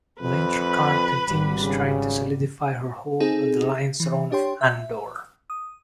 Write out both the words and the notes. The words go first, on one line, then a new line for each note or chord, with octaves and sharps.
Elayne Trakand continues trying to solidify her hold on the Lion Throne of Andor.
F2 B4 B5
G#1 G3
C#3
C4 D#4 G#4 A4
E3
D4 G4 C#5 G5 C6
E5
D#6